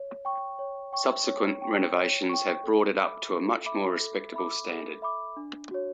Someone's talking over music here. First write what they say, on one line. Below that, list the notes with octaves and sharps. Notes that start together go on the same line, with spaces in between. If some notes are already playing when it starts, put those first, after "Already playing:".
Subsequent renovations have brought it up to a much more respectable standard.
Already playing: C#5
G5 C#6
C#5
G5 C#6
C#5
G5 C#6
C#5
G5 C#6
A4
E5 B5 D6
A4
E5 B5 D6
A4
E5 B5 D6
A4
E5 B5 D6
D4
F#4 C#5